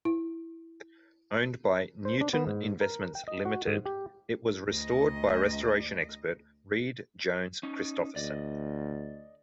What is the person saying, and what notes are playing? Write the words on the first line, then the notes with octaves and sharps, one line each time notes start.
Owned by "Newton Investments Limited", it was restored by restoration expert Read Jones Christofferson.
E4
C5
D4
B3
G#2
A#4
G5
D#5
F#4
G#2
G4
D2 D#5
C#4 D#4
D2 D5 D#5